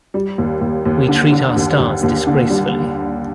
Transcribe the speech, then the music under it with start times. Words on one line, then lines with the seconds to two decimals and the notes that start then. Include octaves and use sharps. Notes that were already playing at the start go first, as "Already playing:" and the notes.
We treat our stars disgracefully.
0.14 G3
0.38 D#2
0.61 D#2
0.85 D#2
1.08 D3
1.32 D3
1.56 D#2
1.79 D#2
2.03 D#2
2.27 D3
2.50 G3